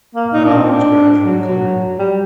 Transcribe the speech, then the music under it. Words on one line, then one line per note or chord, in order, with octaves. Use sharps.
The valley is gradually clearing.
A#3
D#4
D4
C4
D4
F#3
F#3
G3